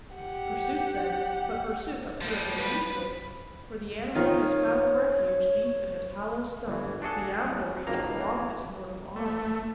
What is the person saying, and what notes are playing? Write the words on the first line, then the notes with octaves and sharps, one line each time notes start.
Pursuit then, but pursuit apparently useless, for the animal has found refuge deep in this hollow stump, beyond the reach of longest mortal arm!
G4 F#5
F3 G3
B4
D#3 F4 C#5
G1 E3
D4 F#4 G#4 A4
E2
G#1 C#2 G2 A#3 A#5
E3
A3